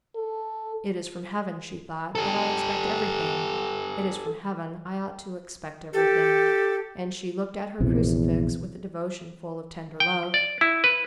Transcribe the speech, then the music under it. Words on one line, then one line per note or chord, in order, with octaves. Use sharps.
"It is from Heaven," she thought, "that I expect everything; it is from Heaven I ought to expect everything." And she looked at her crucifix with a devotion full of tender love.
A4
G4 A4
G4 A4
A#1 E2 C3
G5
D5
E4
B4